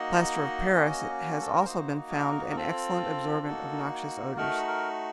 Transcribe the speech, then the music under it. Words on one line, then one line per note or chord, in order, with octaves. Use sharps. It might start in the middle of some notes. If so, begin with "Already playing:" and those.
Plaster of Paris has also been found an excellent absorbent of noxious odors.
Already playing: A#3 D#4 F#4 D#5
A#3 C#4 F#4
A4
A#4
A#3 D#4 F#4 C5
A#4
A#4
C4 F4 A4
A#3 D#4 F#4
A3 D#4 F#4 A#4
A#4